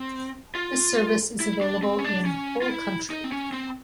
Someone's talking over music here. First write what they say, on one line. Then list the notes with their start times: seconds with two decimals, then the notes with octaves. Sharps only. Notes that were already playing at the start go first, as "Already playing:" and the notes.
This service is available in whole country.
Already playing: C4
0.55 F4
1.40 E4
1.61 D4
1.83 C4
1.99 C#4
2.04 D4
2.25 C#4
2.62 F4
2.68 E4
3.10 D#4
3.24 C4
3.32 C#4
3.53 C4